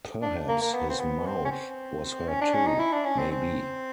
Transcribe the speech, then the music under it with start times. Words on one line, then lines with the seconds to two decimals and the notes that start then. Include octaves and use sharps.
Perhaps his mouth was hurt too — maybe.
0.22 D4
0.48 A#3
0.61 A#3
0.74 B3
0.89 C4
1.00 B3
1.26 C4
1.45 C#4
1.51 C4
2.28 C#4
2.41 D4
2.54 C#4
2.66 D#4
2.80 E4
2.93 D4
3.05 C#4
3.18 C4
3.31 C4